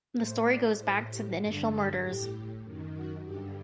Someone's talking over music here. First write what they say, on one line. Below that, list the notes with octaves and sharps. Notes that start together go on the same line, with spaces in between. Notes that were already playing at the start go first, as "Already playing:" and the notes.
The story goes back to the initial murders.
A2 C5
D5
A2 C5
G4
G2 D3 A4
A4
A2 G4
F#2 D#3
F#4
G2 D3 G4